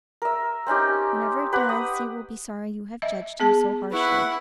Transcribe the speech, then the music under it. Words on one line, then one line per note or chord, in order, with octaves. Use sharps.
'Whenever it does, you will be sorry you have judged him so harshly.'
A#4 E5
C4 C#4 D#4 G4
G4 B4 F#5 B5
D#6
D#5 E5
B3 G#4 A5
E4 B4 F#5 B5 C#6